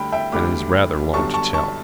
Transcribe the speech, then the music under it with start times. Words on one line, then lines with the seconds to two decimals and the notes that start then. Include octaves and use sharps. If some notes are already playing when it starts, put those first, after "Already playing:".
And it is rather long to tell.
Already playing: D2 D3 G3 G5 B5
0.12 E5 G5
0.32 D2 D3 G3 B5 D6
1.13 G1 F#2 D3 G3 A5 C#6
1.34 A5 C#6
1.54 A5 C#6